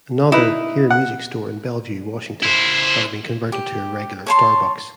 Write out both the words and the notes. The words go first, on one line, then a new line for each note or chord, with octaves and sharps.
Another Hear Music store in Bellevue, Washington has been converted to a regular Starbucks.
D#4 E4 B4
F#5
E4 C5
G4
C#5 A5 C6